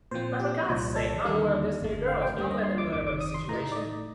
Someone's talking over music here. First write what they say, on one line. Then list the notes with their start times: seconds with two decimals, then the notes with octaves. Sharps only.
But for God’s sake! Not a word of this to the girls- don’t let them learn about the situation.
0.11 A#2 F3 C4 C5
0.40 G4
0.69 C2 A#2 F3
0.96 A4
1.24 D#2 D3 G3 A#3 D#4 F5
1.81 G1 F2 D3 A3
2.08 F5
2.22 G5
2.37 D2 D3 G3 A#3
2.51 D#5
2.64 C6
2.78 D6
2.92 G1 F2 D#3 D6
3.07 D6
3.21 D#6
3.34 C6
3.49 A2 A3 D#4 A#5
3.72 D5
3.77 D#5